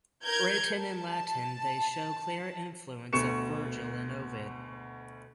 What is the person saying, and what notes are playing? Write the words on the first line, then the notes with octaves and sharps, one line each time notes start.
Written in Latin they show clear influence of Virgil and Ovid.
A#4 G6 G#6
A5
D2 B2 C#6 C#7 E7